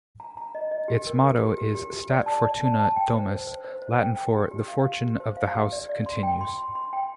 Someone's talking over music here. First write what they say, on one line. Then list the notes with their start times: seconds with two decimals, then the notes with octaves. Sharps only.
Its motto is "Stat Fortuna Domus", Latin for "The Fortune of the House Continues".
0.20 A#5
0.37 A#5
0.55 D#5
0.71 D#5
0.88 G4
1.07 A#4
1.24 A#4
1.41 G4
1.58 G4
1.75 G4
1.93 G4
2.10 D5
2.26 A5
2.44 D5
2.61 A5
2.79 A5
2.96 G5
3.13 C5
3.30 C5
3.47 C5
3.64 C5
3.82 C5
3.99 G5
4.16 G5
4.34 G4
4.51 G4
4.68 F5
4.85 G4
5.03 G4
5.20 C5
5.37 F5
5.55 G4
5.72 D5
5.89 D5
6.06 C6
6.23 G5
6.41 C6
6.58 C6
6.75 C6
6.93 G5